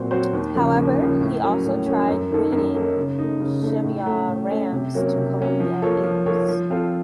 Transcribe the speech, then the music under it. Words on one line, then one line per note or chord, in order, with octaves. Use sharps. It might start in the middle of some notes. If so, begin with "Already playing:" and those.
However, he also tried breeding Cheviot rams to Columbia ewes.
Already playing: A#2 F#3 C4 F#4 C5
F#3 C4 F#4 C5
D#2
C#3 F3 A#3
D#2
C#3 F3 A#3
A2
F#3 A#3 C#4
A2
F#3 A#3 C#4
F#2
D#3 A#3 D#4 A4
F#2
D#3 A#3 D#4 A4
C#3
A3 D#4
C#3
A3 D#4
A2
A3 C#4
A2
A3 C#4
C3
F#3 A#3 C#4
C3
F#3 A#3 C#4
F3
A#3 F4 A4 C#5
F3
A#3 F4 A4 C#5
F3
C4 F4 A4